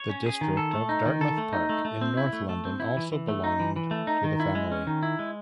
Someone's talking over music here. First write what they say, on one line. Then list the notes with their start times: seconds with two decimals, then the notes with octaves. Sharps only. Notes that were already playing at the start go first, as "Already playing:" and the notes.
The district of Dartmouth Park in north London also belonged to the family.
Already playing: C#5
0.09 C#4
0.26 G#4
0.41 D#3
0.57 A4
0.73 A3
0.89 D#4
1.06 D#3
1.21 A4
1.38 A3
1.53 D#4
1.69 A3
1.85 A3
2.01 C4
2.17 E4
2.33 A3
2.49 A3
2.65 C4
2.80 E4
2.97 E3
3.12 E3
3.28 A3
3.44 D#4
3.60 E3
3.76 E3
3.91 A3
4.07 D#4
4.24 D#3
4.40 E4
4.55 G#3
4.72 C#4
4.87 D#3
5.03 E4
5.19 G#3